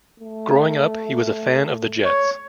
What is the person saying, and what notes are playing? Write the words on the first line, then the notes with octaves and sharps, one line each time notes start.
Growing up, he was a fan of the Jets.
A3
C#5